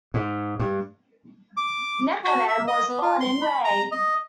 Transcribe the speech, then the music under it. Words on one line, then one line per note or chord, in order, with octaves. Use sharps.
Nekounam was born in Rey.
G#2
G2
D6
F#4
E5
D#5
B3
F4
C6
B5
A#5
D#5